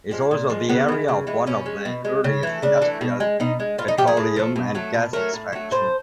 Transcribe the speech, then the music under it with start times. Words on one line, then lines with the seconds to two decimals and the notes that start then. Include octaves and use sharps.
It's also the area of one of the earliest industrial petroleum and gas extraction.
0.11 F3 G#3
0.31 A#2
0.50 F3 G#3
0.69 C#3 B3
0.88 E3 G#3
1.08 C#3
1.27 E3 G#3
1.46 B2 C#4
1.66 G#3
1.85 B2
2.05 G#3
2.24 C#3
2.43 E3 A3
2.62 C#3 D4
2.82 E3 A3
3.01 B2
3.20 G#3
3.40 B2 D#4
3.60 G#3
3.78 A2 F4
3.88 D#4
3.98 F3 A3 G4
4.07 G#4
4.17 A2
4.36 F3 A3
4.56 B2
4.75 F#3 A3
4.94 B2
5.13 F#3 A3 A#4
5.33 A2
5.53 F#3 A3
5.71 A2 C5